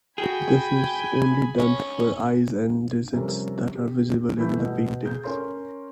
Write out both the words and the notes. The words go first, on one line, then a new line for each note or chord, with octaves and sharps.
This is only done for eyes and digits that are visible in the painting.
F#4 G#4 G5 G#5 B5
C#4
C3 F3 G3 C#4 A#4
G4
E3 G3 A3 B5 E6 G6
B2
G#4 G6
C#4 A#4 C#5 C6